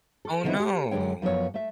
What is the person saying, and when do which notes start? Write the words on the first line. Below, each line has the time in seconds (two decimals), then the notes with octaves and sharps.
Oh, no.
0.25 A4
0.44 D3 D#3 A3 B3 C4 E4
0.60 G4
0.91 F#2 D3 G#3 D4 C#5 G5
1.22 F#2 F3 B3 G4 C#5
1.54 A3 E5